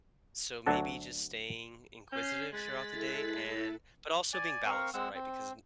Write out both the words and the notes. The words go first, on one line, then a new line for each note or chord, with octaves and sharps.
So maybe just staying inquisitive throughout the day and but also being balanced, though, right, because n
D2 F#3 D4 F#4 A4
C#4 G6 C7
G#3 F#6 A6 B6
E4 A4
D5 G#5
C4 A#4 F5 C#6
G#3 C4 F#5 E6
C4